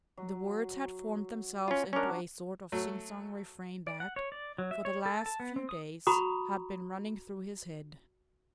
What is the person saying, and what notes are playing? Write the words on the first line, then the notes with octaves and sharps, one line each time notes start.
The words had formed themselves into a sort of singsong refrain that, for the last few days, had been running through his head.
F#3
C#4 F4
F#3 C#4 D4 F#4 A#4
F#3 A3
D5
F#5
C#5
D5
F#3
E5
C#5
A4
A5
B3
C4
D#6
F#4 A#5 B5 C#6 D#6